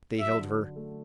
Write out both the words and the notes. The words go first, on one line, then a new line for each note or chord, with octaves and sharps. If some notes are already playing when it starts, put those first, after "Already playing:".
They held her.
F#3 E5
D3
D3
A3